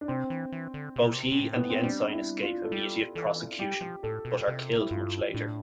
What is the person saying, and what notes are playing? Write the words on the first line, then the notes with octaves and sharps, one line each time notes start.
Both he and the ensign escape immediate prosecution but are killed much later.
D4
C3 C4
E3
E3
D3
C3
B2
A2
B3
C4
G3 D4
E4
F4
A4
G3 G4
E3 A4
G3 G4
F3
A2 A4
B2
C3
E4
G2 F4
A2 D4